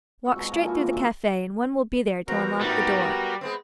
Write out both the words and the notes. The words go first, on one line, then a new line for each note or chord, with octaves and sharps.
Walk straight through the cafe and one will be there to unlock the door.
G#3 C4 F#4 F#5
G#2 B2 A#5
A#2 D#5 G#5
F3 A#3 E4 F#4
E3 G#3 C#4
D#3 G#3 C4 D4
E2 B3 C4 F#4 A#4 A#5
G#2 G3 D#4
G#3 B3 C4 B4